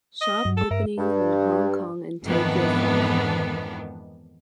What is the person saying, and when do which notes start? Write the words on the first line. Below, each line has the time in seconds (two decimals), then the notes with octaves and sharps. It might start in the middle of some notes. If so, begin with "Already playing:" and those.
Shop openings in Hong Kong and Tokyo followed.
0.21 D#5
0.45 G2 F#3
0.57 A4
0.71 G2 A#4 E5
0.98 G2
2.24 F2 G#2 D#3 E3 B3 D4